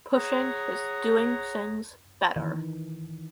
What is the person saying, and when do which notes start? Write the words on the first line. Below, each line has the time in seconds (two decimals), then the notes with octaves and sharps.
Pushing is doing things better.
0.12 G#4 C#5 F#5 A#5 D#6
2.36 D#3 E3